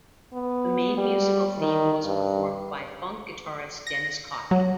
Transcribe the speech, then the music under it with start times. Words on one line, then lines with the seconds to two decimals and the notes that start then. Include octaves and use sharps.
The main musical theme was performed by funk guitarist Dennis Coffey.
0.33 B3
0.97 G3
1.59 D#3
2.05 G2
3.87 A#6
4.51 F#3